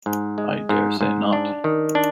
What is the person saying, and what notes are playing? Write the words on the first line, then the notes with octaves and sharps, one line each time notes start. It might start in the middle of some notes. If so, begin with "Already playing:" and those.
I dare say not.
G#2
G#3
G#2
G#2
D4
D#3
D4